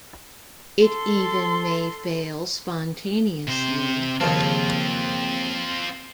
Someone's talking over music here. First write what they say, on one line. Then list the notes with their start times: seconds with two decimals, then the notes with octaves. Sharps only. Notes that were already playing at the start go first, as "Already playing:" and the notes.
It even may fail spontaneously.
0.85 A4 C6
3.48 C3 C5
4.20 D#2 C#3 F3 C4 F4